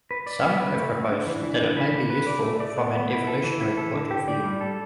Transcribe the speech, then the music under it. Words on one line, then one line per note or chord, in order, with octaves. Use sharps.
Some have proposed that it may be useful from an evolutionary point of view.
B4
D5
B3
B4
A3
A3
D4
E3
E3
D4
B4
D3
B4
D5
A3
D5
B3
B3
E4
A4
E3
E4
A4
D3
G4
D5
G3
A4